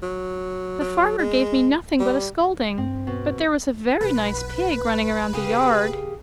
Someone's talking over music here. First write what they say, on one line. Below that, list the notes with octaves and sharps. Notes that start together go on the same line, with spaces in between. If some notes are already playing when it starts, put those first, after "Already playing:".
"The farmer gave me nothing but a scolding; but there was a very nice pig running around the yard."
F#3
F#3
G#3
G3
G2 C4
B2
B1 B3 B4
C#3 A#3 G4 G#4